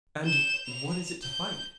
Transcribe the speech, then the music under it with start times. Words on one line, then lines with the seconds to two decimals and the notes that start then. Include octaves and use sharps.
'And what is it to fight?'
0.25 G6 E7
0.66 F7
1.23 G6